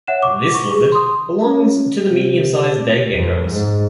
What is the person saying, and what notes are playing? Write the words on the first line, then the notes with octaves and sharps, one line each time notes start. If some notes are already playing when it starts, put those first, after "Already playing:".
This lizard belongs to the medium-sized day geckos.
C#5 E5 F#5 F#6 E7
C#6 D6
C#6
G#4
C6 D#6
C#4
C3
F2
G#2